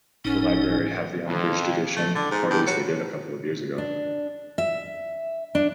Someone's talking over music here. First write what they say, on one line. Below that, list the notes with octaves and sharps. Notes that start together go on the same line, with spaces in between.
The library have the unabridged edition, or at least they did a couple of years ago.
F#1 A2 C#4 D#4
F2
A3
D3
G#2
G2
F#3
D4
E5
D4